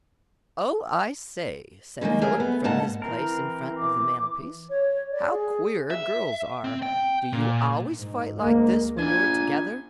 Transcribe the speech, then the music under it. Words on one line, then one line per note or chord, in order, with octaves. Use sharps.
"Oh, I say," said Philip, from his place in front of the mantelpiece, "how queer girls are; do you always fight like this when you're together?"
D3 D#3 G#3 A#3
A3 G#4 A#4
B3
G#2 C3 A#3 F#5 A5
E3 C4 A#4
D6
C#5
D5
G#4
E5
C4
G5
A#2
G#2
D2 G#3 A#3
D4 F4 G#5